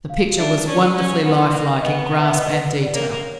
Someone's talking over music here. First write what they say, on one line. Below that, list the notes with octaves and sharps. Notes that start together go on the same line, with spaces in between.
The picture was wonderfully life-like in grasp and detail.
F5
D4 E5
C#4 D5
C#4
B3
A#3
B3 D#5
E5
D#5
D5
A#3 C#5